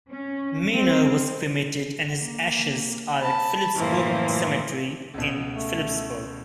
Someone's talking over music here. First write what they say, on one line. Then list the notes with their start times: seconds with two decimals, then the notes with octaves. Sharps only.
Meyner was cremated and his ashes are at Phillipsburg Cemetery in Phillipsburg.
0.10 C#4
0.72 C4
2.18 A#3
3.21 A5 B5
3.75 F#2 A2 C#3 E3 F3 A#3
5.14 C#2 B2
5.52 A3